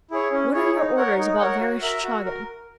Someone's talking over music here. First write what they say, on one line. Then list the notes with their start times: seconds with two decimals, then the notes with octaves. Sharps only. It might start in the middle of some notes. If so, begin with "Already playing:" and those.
What are your orders about Vereshchagin?
0.11 E4 G#4 C#5
0.32 C#4
0.54 E4 G#4 C#5
0.75 D#4
0.96 A#4 C#5 F#5
1.18 D#4
1.40 A#4 C#5 F#5
1.60 F#4
1.82 A#4 E5
2.03 F#4
2.25 A#4